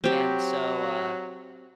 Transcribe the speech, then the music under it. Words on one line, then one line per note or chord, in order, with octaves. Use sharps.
And so, uh,
F#3 C4 G4